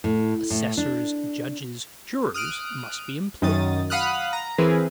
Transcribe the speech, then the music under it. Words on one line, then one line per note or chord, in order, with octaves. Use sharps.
Assessors, judges, jurors, must be employed.
A2
A2
D4
D#6 F6 F#6 D7
F#2 D#3 D#6 A6
F5 F#5 B5 D#6 F6 F#6
A#5
E3 C4 E4 G#4 A#4 B4